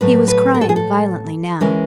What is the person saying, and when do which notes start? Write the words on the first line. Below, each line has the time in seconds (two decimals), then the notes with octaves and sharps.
He was crying violently now.
0.01 A2 F#3 A3 B4
0.28 B4
0.54 A#4
0.61 A4
0.69 G#4
0.76 A4
1.61 E3 G#3 C#4 A#4